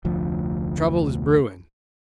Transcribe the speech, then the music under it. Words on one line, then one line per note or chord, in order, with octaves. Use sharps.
Trouble is brewing.
F1 D2 F3